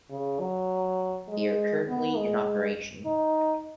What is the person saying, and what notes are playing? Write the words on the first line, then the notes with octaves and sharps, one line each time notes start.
They are currently in operation.
C#3
F#3
G#3
B3
G#3
D#4